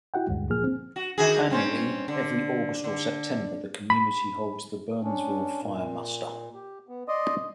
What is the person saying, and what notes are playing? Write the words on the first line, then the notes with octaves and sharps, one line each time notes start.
Annually every August or September, the community holds the Burnsville Fire Muster.
E4 F#4 F#5 G5
D2 G2 G#3
A#2 F3 A#3 G#4 F6
C4
F#4
D#3 F#4 G#4
G2 C4 C#4
D3
D3
B5
C#4 D4
A#2
G4
B3
D5 D#5 C6 D#6